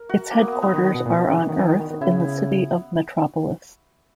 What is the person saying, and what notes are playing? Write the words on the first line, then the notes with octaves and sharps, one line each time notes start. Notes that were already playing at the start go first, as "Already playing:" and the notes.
Its headquarters are on Earth in the city of Metropolis.
Already playing: A#4
F#4
A#3
B3
B3
B3
D#3
D#3
B2
A#2
B2
C#3
E3
D#3
E3
D#3
D#3
D#3
C#3 E4